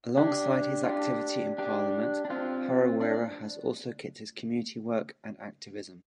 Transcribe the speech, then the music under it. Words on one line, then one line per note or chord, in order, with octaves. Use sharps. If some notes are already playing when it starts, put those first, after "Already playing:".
Alongside his activity in Parliament, Harawira has also kept his community work and activism.
D4 G4
F4
D4 G4
D4 G4
D4
C4 F4
D4